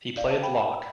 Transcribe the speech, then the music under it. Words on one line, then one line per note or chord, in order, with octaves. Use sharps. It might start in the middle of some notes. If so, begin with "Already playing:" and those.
He played lock.
D5 F5
F5 A5
G5 B5
G5 B5